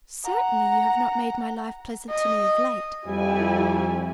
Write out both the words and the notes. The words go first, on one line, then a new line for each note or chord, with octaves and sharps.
Certainly you have not made my life pleasant to me of late.
F#5 A#5
D#5
F2 G3 E4 G#5